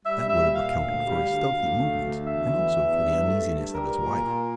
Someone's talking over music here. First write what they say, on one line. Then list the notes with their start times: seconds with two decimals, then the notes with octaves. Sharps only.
That would have accounted for his stealthy movements and also for the uneasiness of his wife.
0.05 G3 E5
0.29 A#2 E5
0.54 A#2 F5
0.79 D2
1.04 G3
1.28 D2
1.53 D2
1.77 A3
2.02 D2
2.26 E2 E5
2.51 E3
2.76 E2
3.01 G2
3.25 A3
3.49 G2
3.73 G3 A#4
3.99 A#2
4.24 A#2